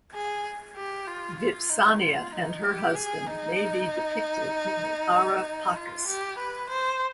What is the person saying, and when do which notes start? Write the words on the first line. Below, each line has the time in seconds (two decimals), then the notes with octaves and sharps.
Vipsania and her husband may be depicted in the Ara Pacis.
0.14 G#4
0.76 G4
1.07 F4
1.39 F4
1.70 D#4
2.01 F4
2.32 D#4
2.63 G4
2.95 G#4
3.26 D#4
5.76 F4
6.07 G4
6.38 B4
6.69 C5